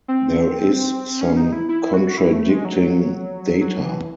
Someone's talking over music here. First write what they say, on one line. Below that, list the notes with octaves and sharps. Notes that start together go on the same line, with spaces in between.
There is some contradicting data.
C4
C#4
D#4
E4
E4
F#4
E4
A3
G#3
F#3
F#3
E3